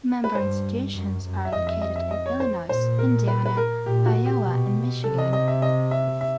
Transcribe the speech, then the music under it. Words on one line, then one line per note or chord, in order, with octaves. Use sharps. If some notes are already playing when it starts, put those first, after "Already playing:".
Member institutions are located in Illinois, Indiana, Iowa, and Michigan.
B4
G2 C5
F#2
F#2
E5
F2 D#5
E5
D#5
E5
D#5
C#5
C5
A#2 C5
A#4
B4
B4
A#4
A#2 G4
F#4
G4
B2
C3 A4
D#5
D#5
E5
D#5
E5
E5